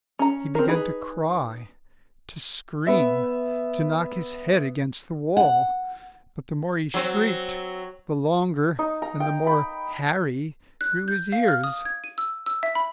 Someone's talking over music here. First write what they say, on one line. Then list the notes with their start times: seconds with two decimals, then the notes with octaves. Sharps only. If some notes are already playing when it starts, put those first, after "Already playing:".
He began to cry, to scream, to knock his head against the wall, but the more he shrieked, the longer and the more hairy grew his ears.
0.19 C#4 A#5
0.55 C4 A#4
0.68 D#4 G#4 B4
2.87 B3 E5
5.37 F#5
6.94 F#3 C4
8.79 D#4
9.02 A#5
9.20 G5
9.47 B5
10.81 F#6
11.08 G6
11.32 F5
11.48 F6
11.64 D#6
11.85 G#6
12.04 D#7
12.18 E6
12.46 E6
12.63 E5
12.75 B5